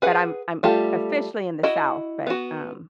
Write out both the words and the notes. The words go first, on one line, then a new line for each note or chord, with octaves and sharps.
but I'm I'm officially in the south, but, um
G#4 B4 F#5
G3 A3 F4 G4
E4 F#4 D#5
B3 F#4